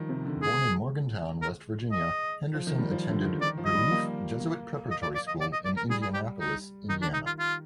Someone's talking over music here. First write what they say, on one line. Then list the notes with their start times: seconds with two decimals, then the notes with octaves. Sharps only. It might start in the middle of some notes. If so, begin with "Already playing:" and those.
Born in Morgantown, West Virginia, Henderson attended Brebeuf Jesuit Preparatory School in Indianapolis, Indiana.
Already playing: D#3 F3 G3
0.09 C3
0.25 D3
0.42 G#3 G#4
1.42 A#4
1.92 D#5
2.54 F3
2.67 D#3
2.78 G3
2.92 F3
3.08 D3
3.24 D#3
3.41 D#3 D5
3.57 F3
3.65 D#5
3.74 G3
3.91 A#3
4.40 A#3
4.91 D#5
5.03 D5
5.15 D5
5.27 D#5
5.41 D5
5.53 D#5
5.65 D5
5.77 A#4
5.89 G3 G#4
6.02 G#4
6.14 G4
6.40 D#4
6.89 D#3 D#4
7.02 D4
7.14 D#4
7.26 F4
7.39 F4